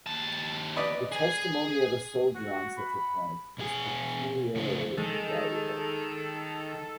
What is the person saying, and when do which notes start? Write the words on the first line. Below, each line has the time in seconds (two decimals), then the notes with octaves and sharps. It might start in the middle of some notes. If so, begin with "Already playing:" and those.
The testimony of a soldier on such a point is peculiarly valuable.
0.06 D#2 A5
0.77 B4 D5 D#5
1.12 G#4 G#5
2.36 F#4
2.77 B5
3.58 B2 D4 G#4 G#5
4.56 A2 C#3 G#3 D4 C5
4.97 D#3 G#3 A4